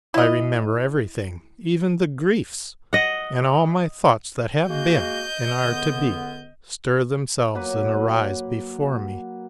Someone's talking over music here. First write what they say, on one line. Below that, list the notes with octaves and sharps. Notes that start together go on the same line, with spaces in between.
I remember everything, even the griefs, and all my thoughts that have been and are to be bestir themselves and arise before me.
E4 D#5
D#5 F#5
G#3 A#3 F#4 D#5 G6
C#2 D3 B3
F#3 A#3 F#4 B4